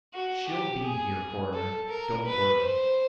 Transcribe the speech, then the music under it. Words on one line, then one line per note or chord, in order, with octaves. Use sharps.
"She'll be here, coroner, don't worry."
F#4
G4
G#4
A4
A#4
B4
C5